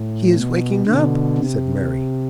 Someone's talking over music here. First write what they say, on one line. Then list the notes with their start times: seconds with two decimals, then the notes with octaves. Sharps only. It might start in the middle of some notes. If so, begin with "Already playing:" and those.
"He is waking up!" said Mary.
Already playing: A2
0.35 B2
0.86 B2 D3
1.38 C3